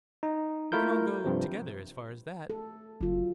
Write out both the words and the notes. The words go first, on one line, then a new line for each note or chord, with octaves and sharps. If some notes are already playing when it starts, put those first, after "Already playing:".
We can all go together as far as that.
D#4
A3 E4 F4 A#4 G6
G2 C3 F3
A4
F#1 F#3 F4